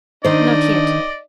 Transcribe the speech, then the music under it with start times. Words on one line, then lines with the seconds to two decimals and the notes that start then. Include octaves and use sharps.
"Not yet."
0.24 D#3 D4 C5 D5 D#5